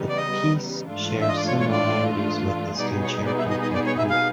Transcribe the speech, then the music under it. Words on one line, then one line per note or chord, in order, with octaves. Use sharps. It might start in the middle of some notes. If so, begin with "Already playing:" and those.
The piece shares similarities with his concerto for flute.
Already playing: C#3 E3 G3 B3 D#4
D5
D#5
G#2 E3 A3 D4 F4
E5
D#5
D5
C#5
C#5
D5
B2 G3 B3 D#4 G#4 D5
C#5
D5
E5
D#5
D#5
D5
C#5
E5
F5